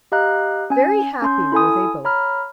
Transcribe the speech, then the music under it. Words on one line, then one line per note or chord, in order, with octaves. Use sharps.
Very happy were they both.
G4 D#5 F5 A#5 F#6
C#4 G#5
C#4 C6 G6
E4 A4 G#5 D#6
C#5 A#5 B5 F6